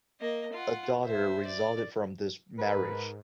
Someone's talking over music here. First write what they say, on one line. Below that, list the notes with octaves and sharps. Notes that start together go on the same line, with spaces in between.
A daughter resulted from this marriage.
A#3 D#5
F4 F#5
C5 E5
D5
G#2 A#4 B4